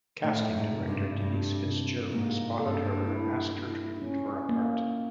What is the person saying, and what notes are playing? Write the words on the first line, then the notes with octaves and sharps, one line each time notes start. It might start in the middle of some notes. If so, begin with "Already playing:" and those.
Casting director Denise Fitzgerald spotted her and asked her to read for a part.
A2 A3
G#2
C3
G2
G2 C3
C3
G#2 A#3
G2 A4
E4
E4
C#4
A#3